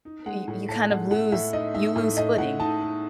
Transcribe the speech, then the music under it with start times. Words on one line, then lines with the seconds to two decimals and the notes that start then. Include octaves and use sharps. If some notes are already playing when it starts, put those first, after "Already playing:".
y you kind of lose you lose footing.
0.05 D#4
0.26 G#3 F#5
0.48 A2
0.69 A2 A5
0.90 G#3 F#5
1.11 A2 F#5
1.32 A2 E5
1.53 D#4 D#5
1.75 D#4 E5
1.96 A2
2.17 A2 D#5
2.38 A2 F#5
2.60 D#4 A5
2.81 D#4